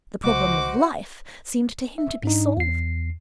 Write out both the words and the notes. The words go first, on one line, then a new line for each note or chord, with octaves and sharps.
The Problem of Life seemed to him to be solved.
C2 C#3 G#3 F#4 C5 D#5 D6
E5
G#2 D4 D#4
E2 C7